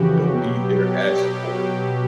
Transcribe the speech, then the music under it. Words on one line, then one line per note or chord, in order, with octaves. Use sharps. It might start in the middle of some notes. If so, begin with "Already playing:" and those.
but be there as support.
Already playing: F2 C#3 E3 F#4 G4
B2 F#3
G4